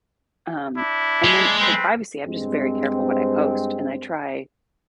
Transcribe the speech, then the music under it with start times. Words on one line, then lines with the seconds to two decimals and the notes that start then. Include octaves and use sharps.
um, and then for privacy, I'm, just, very careful what I post and I try
0.76 D4 E4
1.24 G#3
1.59 C4 B4
2.25 G2 G#3 C4